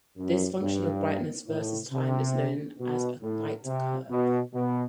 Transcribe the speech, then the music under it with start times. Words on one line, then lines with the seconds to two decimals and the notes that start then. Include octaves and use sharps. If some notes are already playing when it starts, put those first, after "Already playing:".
This function of brightness versus time is known as a light curve.
0.17 F#2
0.60 G2
1.47 A2
1.92 C3
2.79 B2
3.22 A2
3.66 C3
4.10 B2
4.54 B2